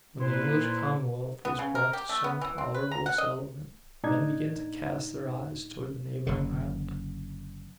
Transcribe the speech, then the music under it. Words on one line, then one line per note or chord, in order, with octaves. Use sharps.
When the English commonwealth was brought to some tolerable settlement, men began to cast their eyes towards the neighboring island.
A#2 E4 B4 C5 C6
B3
C#3
A#4
G4
A3
B3
E3
C4
B4
A#5
F#5
D#5
A2 D4 D#4 G#6
F#1 D3